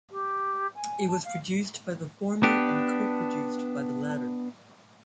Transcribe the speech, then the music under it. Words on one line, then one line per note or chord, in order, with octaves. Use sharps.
It was produced by the former and co-produced by the latter.
G4
G#5
A5
F5
B3 D4 G4